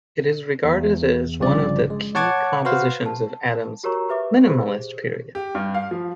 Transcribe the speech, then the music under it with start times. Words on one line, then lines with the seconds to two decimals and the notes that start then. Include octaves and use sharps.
It is regarded as one of the key compositions of Adams' "minimalist" period.
0.65 E2
1.40 G1 G2 C#3 F3 D5
1.90 G#3
2.15 C#5 F#5 A5 C#6 D6 G#6
2.65 F#4 B4 C5 F5
3.06 A5
3.84 F#4 G4 A#4 C#5 A#5 C#6
4.09 G4 B4 E5 D6
4.44 G4 G#4 C5
5.35 G4
5.55 G2
5.74 F5
5.91 F3